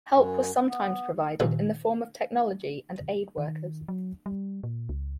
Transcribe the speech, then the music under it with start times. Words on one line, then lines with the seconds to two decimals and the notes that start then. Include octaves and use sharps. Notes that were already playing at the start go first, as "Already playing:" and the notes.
Help was sometimes provided in the form of technology and aid-workers.
0.13 F#2
0.68 B3
1.40 A#1 D#2
3.38 D#3
3.88 F#3
4.26 G3
4.63 A#2
4.89 C#2